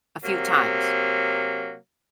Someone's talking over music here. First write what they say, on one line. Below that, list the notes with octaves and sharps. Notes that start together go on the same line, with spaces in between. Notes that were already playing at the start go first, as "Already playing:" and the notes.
A few times.
C3 F#3 A#3